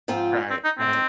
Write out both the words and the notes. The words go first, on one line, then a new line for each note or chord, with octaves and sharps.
Right, right.
G#2 F3 C4 F4
C4
D#4
C4
D#3